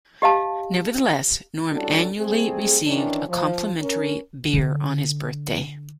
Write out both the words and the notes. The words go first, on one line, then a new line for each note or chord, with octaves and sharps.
Nevertheless, Norm annually received a complimentary beer on his birthday.
G4 D#5 F5 A5
G3 C#4 D4 E4 F#4 A4
G3 A3 C4 G#4
D#3 E3 C#4 D4
F3
C#4 A#4
D3 D4